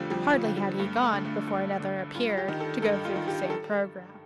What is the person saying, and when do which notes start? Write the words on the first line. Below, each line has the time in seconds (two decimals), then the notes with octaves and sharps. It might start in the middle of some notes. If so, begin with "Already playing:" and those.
Hardly had he gone before another appeared, to go through the same program.
Already playing: F2 D3 F3 G3 A3
0.10 F2 G3
0.33 F3
0.45 D3
0.57 G3
0.78 G2 A3
1.02 A3
1.13 D3
1.25 A3
1.47 G2
1.80 D3
2.15 G2 F4
2.37 G4
2.48 D#3
2.60 A4
2.82 G2 A4
3.05 F4
3.16 D#3
3.28 G4
3.50 A4